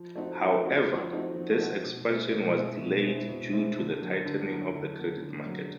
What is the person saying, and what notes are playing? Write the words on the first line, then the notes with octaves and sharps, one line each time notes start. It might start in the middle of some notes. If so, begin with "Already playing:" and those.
However, this expansion was delayed due to the tightening of the credit market.
Already playing: F3
A3 C4 D#4 F#4
F3
A3 C4 D#4 F#4
F3
A3 C4 D#4 F#4
F3
A3 C4 D#4 F#4
B2
G#3 C4 E4
B2
G#3 C4 E4
B2
G#3 C4 E4
B2
G#3 C4 E4
D3
F#3 A#3
D3
F#3 A#3
D3
F#3 A#3
D3
F#3 A#3